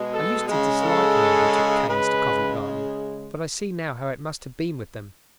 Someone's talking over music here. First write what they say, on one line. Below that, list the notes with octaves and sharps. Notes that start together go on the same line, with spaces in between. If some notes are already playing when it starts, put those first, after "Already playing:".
I used to dislike men who took canes to Covent Garden, but I see now how it must have been with them.
Already playing: B2 G#3
A4
C#3 G#3
A4
C#3 G#3 B4